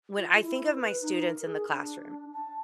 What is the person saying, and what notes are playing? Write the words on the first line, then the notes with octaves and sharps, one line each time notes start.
when I think of my students in the classroom,
F4
E4
B4
D#4
A#4
G#4
D4
A5